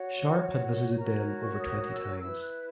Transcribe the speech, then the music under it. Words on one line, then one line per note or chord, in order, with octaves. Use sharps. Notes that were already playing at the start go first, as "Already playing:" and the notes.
Sharp had visited them over twenty times.
Already playing: F#4 C#5 F#5
F#4 A#4 C#5 A#5
A#5
C#6
D#6
E6
E4 B4 E6
F#6